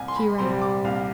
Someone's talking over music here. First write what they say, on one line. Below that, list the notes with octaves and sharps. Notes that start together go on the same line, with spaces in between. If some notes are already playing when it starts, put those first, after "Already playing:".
He rang.
Already playing: C2 G#5
C6
B5
C3 G3 C4 C6
D6
C2 F5